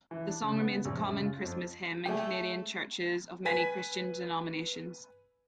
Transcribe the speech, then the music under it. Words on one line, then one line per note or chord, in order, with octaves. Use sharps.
The song remains a common Christmas hymn in Canadian churches of many Christian denominations.
E3
D4
C#3
B3
C#3
A#1
F#2
C#3
F4
F2
A3 G#4 D5 G5
B4 G#5 B6